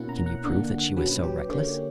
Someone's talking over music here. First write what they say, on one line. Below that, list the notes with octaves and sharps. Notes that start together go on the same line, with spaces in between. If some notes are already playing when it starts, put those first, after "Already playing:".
"Can you prove that she was so reckless?"
Already playing: B2 A#3 C#4 E4 F#5
A#5
F#5
D3 A#3 D4
A#2 F#3 C#4 B4
G4
D3 A#3 C#4 G4